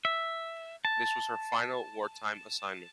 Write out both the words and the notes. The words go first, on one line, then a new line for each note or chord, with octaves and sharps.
This was her final wartime assignment.
E5
A5